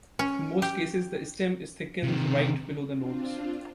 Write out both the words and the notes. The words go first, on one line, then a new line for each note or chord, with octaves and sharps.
In most cases the stem is thickened right below the nodes.
C#4
G4
C3 D#3
C4 D4 F4